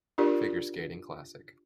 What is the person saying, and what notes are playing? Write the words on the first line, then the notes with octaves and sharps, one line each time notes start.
Figure Skating Classic.
D4 F4 G4 A#4 D5